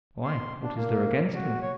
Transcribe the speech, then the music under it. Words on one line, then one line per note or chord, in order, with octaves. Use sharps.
"Why, what is there against him?"
C6
D4
A#3
F#4
C#5